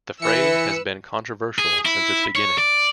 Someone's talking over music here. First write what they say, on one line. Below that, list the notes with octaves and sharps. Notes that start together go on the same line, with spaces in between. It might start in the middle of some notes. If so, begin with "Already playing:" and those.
The phrase has been controversial since its beginning.
E3 B4 E5 E6 C#7
G#4
E4
C#5
D5